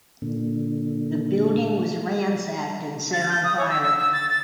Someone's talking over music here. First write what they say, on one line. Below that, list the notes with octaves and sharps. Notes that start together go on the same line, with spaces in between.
The building was ransacked and set on fire.
A#2 D3
A6
G6
D#6
C#5
E6
E6
E6
A6
A6